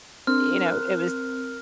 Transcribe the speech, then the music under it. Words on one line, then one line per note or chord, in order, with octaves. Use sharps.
you know, it was
C4 D4 A#4 F6
A#4 F#6